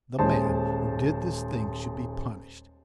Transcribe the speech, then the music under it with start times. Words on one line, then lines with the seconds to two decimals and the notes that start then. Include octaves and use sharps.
The man who did this thing should be punished.
0.19 D#1 G#3 C5 A5